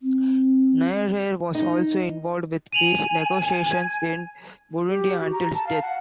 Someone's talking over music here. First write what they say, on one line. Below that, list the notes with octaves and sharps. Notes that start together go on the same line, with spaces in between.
Nyerere was also involved with peace negotiations in Burundi until his death.
C4
D#4
G#5 D#7 F7 F#7
G#6
G4
F#4
A#5
A5
F5
F#5